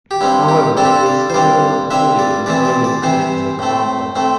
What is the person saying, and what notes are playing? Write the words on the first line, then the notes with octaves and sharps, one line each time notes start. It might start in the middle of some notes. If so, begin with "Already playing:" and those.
However, these stories are not included in the earliest accounts of the conquest.
G4
G2 G3 C4 E4
G4
G2 G3 C4 A4
G4
A4
D5
C5
G2 G3 C4 D5
G2 G3 C4 E5
D5
C3 E3 C4 D5
D5
D5
C3 E3 C4 C5
A2 A3 C4
A2 A3 C4